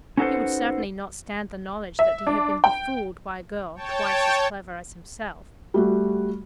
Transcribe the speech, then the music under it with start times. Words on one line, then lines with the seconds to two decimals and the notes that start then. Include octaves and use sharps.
He would certainly not stand the knowledge that he had been befooled by a girl twice as clever as himself.
0.17 C#4 D#4 F#4 A4 B4 C5
1.99 E5
2.27 D4
2.64 G5
3.75 C#5 G5 A5
5.74 G3 A3 F#4